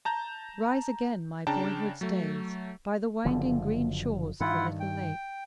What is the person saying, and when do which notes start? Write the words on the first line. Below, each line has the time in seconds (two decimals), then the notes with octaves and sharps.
Rise again, my boyhood's days, by the winding green shores of the little lake.
0.05 A5 A#5 G6
1.47 C#3 D4 G5 A5 A#5
2.01 F#3 A3
3.25 F#1 D3 F3
4.40 G2 D#3 E4 F4 F#5
4.80 G5